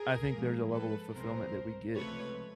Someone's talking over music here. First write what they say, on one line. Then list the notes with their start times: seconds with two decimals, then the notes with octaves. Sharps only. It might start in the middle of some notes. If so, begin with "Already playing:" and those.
I think there's a level of fulfillment that we get
Already playing: G#4 A#4
0.32 G#2 F3 A#3
0.72 A4 B4
1.12 C2 B2 G#3 C4 A#4 C5
1.94 C#2 C3 F3 A3 B4 C#5